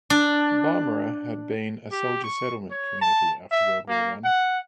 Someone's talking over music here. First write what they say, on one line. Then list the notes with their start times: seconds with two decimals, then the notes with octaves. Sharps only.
Barmera had been a soldier settlement community after World War One.
0.10 D4
1.92 G4
2.24 C#6
2.70 C#5
3.01 A5
3.51 E5
3.88 A#3
4.24 F#5